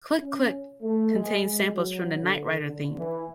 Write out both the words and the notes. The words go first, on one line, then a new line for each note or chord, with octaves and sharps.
"Click Click" contains samples from the "Knight Rider" theme.
C#4
A3
G#3
G#3
F#3
D3
D3
E3